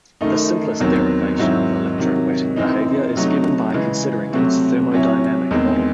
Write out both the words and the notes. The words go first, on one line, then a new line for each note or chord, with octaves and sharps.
The simplest derivation of electrowetting behavior is given by considering its thermodynamic model.
F#2 D#3 A3 D#4
E2 D#3 F#3 C4
G#2 D#3 F#3 C4 E4
C3 D#3 F#3
F#2 E3 C4 D#4
C3 F#3 A3 D#4
C#3 E3 G#3
C3 F#3 A3 C4
C3 F#3 C#4 E4
E2 D#3 G#3 C4